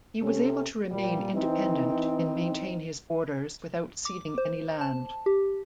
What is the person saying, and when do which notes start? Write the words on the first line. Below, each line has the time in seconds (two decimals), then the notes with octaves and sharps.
He was able to remain independent and maintain his borders without ceding any land.
0.21 C3 C#4 A4
0.91 A#2 G3
1.34 E3 C4 D#4
4.05 D6
4.38 C5
4.81 A5
5.26 G4